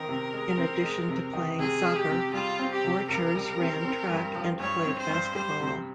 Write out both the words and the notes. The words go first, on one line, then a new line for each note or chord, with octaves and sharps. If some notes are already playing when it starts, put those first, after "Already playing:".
In addition to playing soccer, Borchers ran track and played basketball.
Already playing: D#3 C4 A#4
C3
G#3
C4
G#3
C3
D#3
C3 G#4
G#3
G4
C3
G3 F4
C4
G4
C3
C#2 A#4
G3
C4
C4
G2
F3
G2 C#5
C4
C5
G2
G3 C5
C3